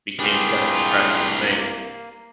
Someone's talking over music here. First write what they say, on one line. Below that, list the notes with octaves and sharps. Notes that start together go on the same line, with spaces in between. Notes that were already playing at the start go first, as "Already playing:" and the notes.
Became such a stressful thing.
C2 D4 F4 G4 G#4 B4
A#3